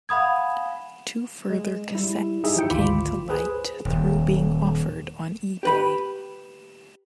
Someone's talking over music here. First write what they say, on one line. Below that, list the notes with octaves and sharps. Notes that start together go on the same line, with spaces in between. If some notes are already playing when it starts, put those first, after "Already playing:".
Two further cassettes came to light through being offered on eBay.
F5 F#5 G#5 B5 D#6 G#6
G#3
G3 E4
D#4 E4 G4 G#4 E5
F3 G5 C#7
G#1 D2 F4 B5 D6
G#4 B4 C5
D#1
G4 B4 B5